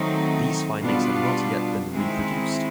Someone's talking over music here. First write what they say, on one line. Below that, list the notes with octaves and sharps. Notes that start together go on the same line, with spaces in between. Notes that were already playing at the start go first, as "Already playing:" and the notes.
These findings have not yet been reproduced.
Already playing: D#3 F#3 A3 C4 D#4
B2 G3 B3 D4 F4
D#3 G#3 C4 E4